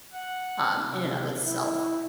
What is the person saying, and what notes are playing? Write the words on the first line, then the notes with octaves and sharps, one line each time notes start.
um, in and of itself.
F#5
C3
E4